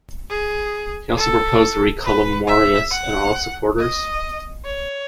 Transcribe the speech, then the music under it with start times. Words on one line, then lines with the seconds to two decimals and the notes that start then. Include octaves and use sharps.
He also proposed the recall of Marius and all his supporters.
0.30 G#4
1.17 A4
2.04 B4
2.47 E5
2.91 F#5
3.78 D#5
4.65 C#5